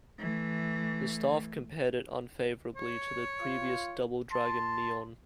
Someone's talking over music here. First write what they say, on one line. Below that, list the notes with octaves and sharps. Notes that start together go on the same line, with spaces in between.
The staff compared it unfavorably to the previous Double Dragon Neon.
E3 A3
C#5
F4
A5 C6